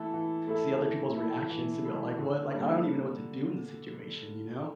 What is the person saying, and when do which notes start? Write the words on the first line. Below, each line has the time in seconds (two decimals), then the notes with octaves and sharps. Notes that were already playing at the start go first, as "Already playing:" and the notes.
see other people's reactions to be all like, "What?" like, I don't even know what to do in this situation, you know?
Already playing: E3 A3 E4 A4
0.13 E3
0.47 A3 E4 A4
0.81 E3
1.16 A3 E4 A4
1.50 E3
1.85 A3 E4 A4
2.19 D3
2.53 G3 A#3 D4